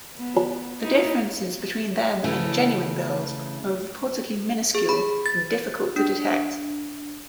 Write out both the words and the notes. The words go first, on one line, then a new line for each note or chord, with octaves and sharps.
The differences between them and genuine bills were reportedly minuscule and difficult to detect.
B3
A#3 D#4 E4
C#3 E3 A3 C#4
G#4
B5
A6
D4